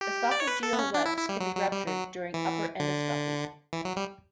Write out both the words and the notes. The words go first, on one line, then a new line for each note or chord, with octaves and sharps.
Esophageal webs can be ruptured during upper endoscopy.
G4
D5
C#5
B4
A4
B3
C#4
D4
E4
E4
G3
F#3
F#3
G3
F#3
E3
D3
E3
F#3
G3